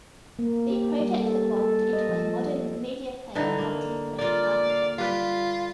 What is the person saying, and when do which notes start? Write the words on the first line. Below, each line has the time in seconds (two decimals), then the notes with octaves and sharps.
The project evolved into a modern media player multi-threaded architecture.
0.39 A#3
0.70 G4
1.00 G3
1.19 A4
1.57 A4
1.93 D#5
2.09 F3
3.35 D3 E3 D#4
3.58 A#3
4.19 A#3 F4 D5
4.70 F5
4.98 G3 F4 B4